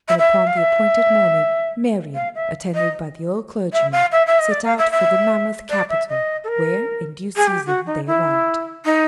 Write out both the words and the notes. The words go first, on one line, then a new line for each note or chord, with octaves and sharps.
And upon the appointed morning Marian, attended by the old clergyman, set out for the mammoth capital, where, in due season, they arrived.
E5
E5
F5
E5
F5
E5
D#5
E5
F5
E5
E5
D#5
D5
F5
E5
E5
D5
E5
D#5
A4
A#4
G#4
G4
F#4
D#4
E4
D#4